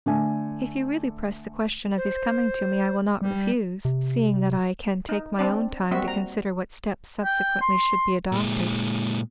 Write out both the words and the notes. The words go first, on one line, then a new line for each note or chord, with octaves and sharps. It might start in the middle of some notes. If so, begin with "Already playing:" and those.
If you really press the question of his coming to me, I will not refuse, seeing that I can take my own time to consider what steps subsequently should be adopted.
D3 A3 G#5
C5
G3
C3
D#4
C4 D4 D5
G3 A#3 C4 F#4 E5
A#5
G5
C6
A#2 G#3